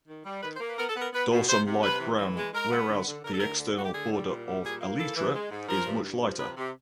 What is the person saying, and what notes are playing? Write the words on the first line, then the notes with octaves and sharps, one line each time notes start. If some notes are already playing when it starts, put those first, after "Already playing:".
Dorsum light brown whereas the external border of elytra is much lighter.
D#3
G3
D#3 B4
C5
A#3
B4
B3 A#4
A4
B3
A#4
B3 B4
B2
C3 C5
C3
C3 B4
E3
E3
G#3
G#3 A#4
B3
D3
D3
D3 A#4
A4
D2 A#4
D3
D2 F#4
G4
D3 G#4
G3
A#2
G3
A#2 G#4
A#3
E3 A4
E3
G#3
G#2
F3 A#4
G2
G2
F3
C3 B4
C3